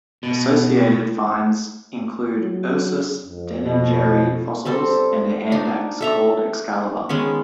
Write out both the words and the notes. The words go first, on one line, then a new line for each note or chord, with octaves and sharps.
Associated finds include "Ursus deningeri" fossils and a hand axe called "Excalibur".
B2
F#3
F2
B2
G3 C4 A4
D4 D#4
A4 E5 A#5
D#3 G#3 B3 C#4